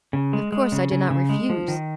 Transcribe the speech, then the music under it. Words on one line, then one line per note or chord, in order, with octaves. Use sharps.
Of course I did not refuse.
C#3
G#3
G#3
C#3
C#3
C#3
G#3
F3
D#3